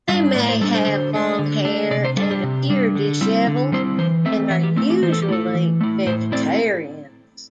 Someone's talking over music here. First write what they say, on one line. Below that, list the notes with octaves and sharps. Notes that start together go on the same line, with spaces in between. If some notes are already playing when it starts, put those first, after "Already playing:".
They may have long hair and appear disheveled, and are usually vegetarians.
G3 E5
D4
A2 D5
C5
G3 D4 A4
C5
D3
A3 D4
D3
A3 D4
C3 D5
C5
G3 D4 A4
G4
C3
G3 D4
D3
G3 C4 E4
D3
G3 C4 E4 C5
E3 C5
A3 C4 E5
E3 E5
G4
A3 C4 E4
G4
E3 C5
A4
G4
A3 E4 A4
E3
A3 E4
A2 C5
A3 C4 E4 D5